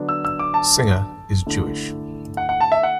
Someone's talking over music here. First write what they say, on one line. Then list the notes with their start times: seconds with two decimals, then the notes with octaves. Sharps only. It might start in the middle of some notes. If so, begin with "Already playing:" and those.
Singer is Jewish.
Already playing: D3 F#3 B3 D4
0.09 E6
0.25 E6
0.39 D6
0.54 A5
1.46 D3 A3 E4
2.37 F#5
2.49 F#5
2.61 A5
2.72 E5
2.83 F#5